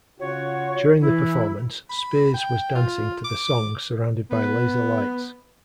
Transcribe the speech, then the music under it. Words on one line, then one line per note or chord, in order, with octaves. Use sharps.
During the performance, Spears was dancing to the song surrounded by laser lights.
C#3 F4 F#4 C#5
E3 E4
B5
G5
F4
D6
B3